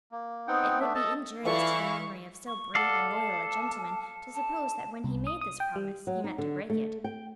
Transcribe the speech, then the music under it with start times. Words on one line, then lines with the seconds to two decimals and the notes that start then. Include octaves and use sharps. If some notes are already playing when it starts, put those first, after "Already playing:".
It would be injurious to the memory of so brave and loyal a gentleman to suppose that when he made this promise he meant to break it.
0.12 A#3
0.48 B3 C4 D#4 F#5 G5
0.80 A3 B3 D4 E5
0.95 A4 D#5 A5
1.45 E3 E4 F4 A4 D5 F5 C#6
2.46 C#6
2.75 A4 D5 F5 F#5
3.13 A5
4.35 A5
5.04 C2
5.27 D#6
5.41 D#6
5.60 G5
5.76 G3
6.07 F#3
6.24 D#4
6.38 D3
6.70 A3
7.04 G5